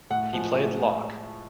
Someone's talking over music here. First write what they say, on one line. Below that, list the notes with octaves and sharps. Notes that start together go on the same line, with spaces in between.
He played lock.
A2 F#5
F3 G#3
A2
G#3